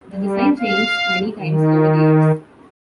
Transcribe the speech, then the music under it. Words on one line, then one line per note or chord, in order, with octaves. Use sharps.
The design changed many times over the years.
G3
F5
D#3